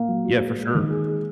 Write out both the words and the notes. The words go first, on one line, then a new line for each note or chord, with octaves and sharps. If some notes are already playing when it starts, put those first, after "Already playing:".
Yeah, for sure.
Already playing: A#3
F#3
F#4
G#3
G#3
D#3
G#4
G#3